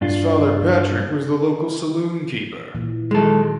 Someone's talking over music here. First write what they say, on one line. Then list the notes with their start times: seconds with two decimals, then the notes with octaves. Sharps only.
His father Patrick was the local saloon keeper.
0.01 G2 D4 F4
2.75 A#2 E3
3.11 D#3 F#3 G#3 A4